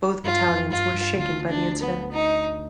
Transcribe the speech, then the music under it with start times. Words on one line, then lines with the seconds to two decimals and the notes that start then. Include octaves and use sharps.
Both battalions were shaken by the incident.
0.24 G2 F4
0.48 F2
0.70 G2 F4
0.94 G2
1.18 D2 D3 F4
1.49 D4
1.81 B3
2.12 D#4